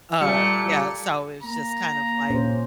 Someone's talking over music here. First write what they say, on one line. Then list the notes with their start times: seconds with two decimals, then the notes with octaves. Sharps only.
uh, yeah, so, it's just kind of, like,
0.21 A#2 G3 A3 C#7
1.43 A#3 A#5
2.30 A#2 C#4 C5